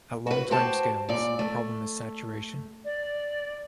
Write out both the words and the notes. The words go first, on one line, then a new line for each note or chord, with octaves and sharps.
At long timescales, the problem is saturation.
F#4 B4
F#4 G4 C5 A5
A#2 D5
A3
D5